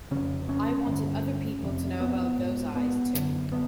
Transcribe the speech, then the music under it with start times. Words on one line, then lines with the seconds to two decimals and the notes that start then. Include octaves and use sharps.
I wanted other people to know about those eyes, too.
0.11 F2 C#3 C#4
0.49 C#4
0.86 G2 D3
1.63 F2 C3
2.00 B3
2.38 G#2
2.76 B3
3.14 F#2 D3
3.52 B3